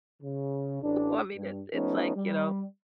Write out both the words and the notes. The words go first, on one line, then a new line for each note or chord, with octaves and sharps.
I mean, it it's like, you know
C#3
A1 D4
G2
F3 A3 B3 C#4 D#4
G3